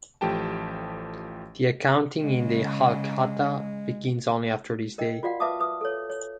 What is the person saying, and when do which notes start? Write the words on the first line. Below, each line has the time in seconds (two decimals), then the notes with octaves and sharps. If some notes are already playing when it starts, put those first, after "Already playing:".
The accounting in the "Halkhata" begins only after this day.
0.21 A1 F3 A3 G4 G5 A5
2.23 C#3 G#3
4.98 A#4 D#5 G5
5.23 F4 F#4 D5 F5 F#5
5.40 B4 E5 F5 A5 D6 D#6
5.60 B4 D#6
5.81 A4 C#5
6.10 C#5